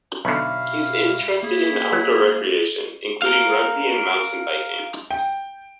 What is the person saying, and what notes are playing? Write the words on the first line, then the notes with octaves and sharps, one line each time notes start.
He is interested in outdoor recreation, including rugby and mountain biking.
B1 B2 D3 E5 F5 B5 C#6
A#3 E4 G#4
F#3
A#4 F5
G5